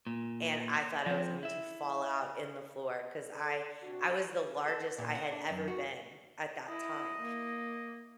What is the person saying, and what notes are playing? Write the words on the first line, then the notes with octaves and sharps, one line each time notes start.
and I thought I was going to fall out in the floor 'cause I I was the largest I had ever been, at that time,
A#2
F3 C4
E4 E5
A4 D5
C3 D4 F#4
A4
A#2
F#5
D4
F#2
F#4
E4 D#5
A#3